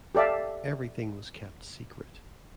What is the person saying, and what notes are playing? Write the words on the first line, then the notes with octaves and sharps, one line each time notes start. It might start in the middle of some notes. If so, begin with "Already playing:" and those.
Everything was kept secret.
G4 A4 D5 E5 F5